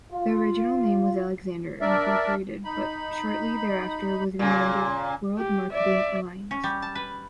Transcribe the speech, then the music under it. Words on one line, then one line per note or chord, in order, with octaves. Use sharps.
The original name was Alexander, Incorporated but shortly thereafter was renamed World Marketing Alliance.
F4
D4 A#4 D5 E5
D#4 B5
A#2 C#3
G4
D5 E5
C#4
G3
A5
B4